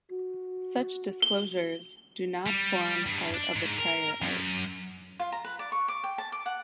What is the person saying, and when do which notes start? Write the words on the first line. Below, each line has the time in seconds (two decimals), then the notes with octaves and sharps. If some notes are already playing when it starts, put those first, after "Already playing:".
Such disclosures do not form part of the prior art.
0.11 F#4
1.22 G7
2.47 G3
3.06 G2
3.34 D4
3.56 G#2
3.78 A#4
4.22 F#2
5.20 F4
5.32 A#5
5.45 B4
5.59 D5
5.72 C#6
5.88 D6
6.04 G5
6.18 A5
6.32 D6
6.46 F#5